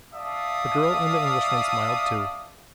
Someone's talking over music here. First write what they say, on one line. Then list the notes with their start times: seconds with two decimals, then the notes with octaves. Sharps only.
The girl and the Englishman smiled too.
0.14 D5 E5 F5 A5 D#6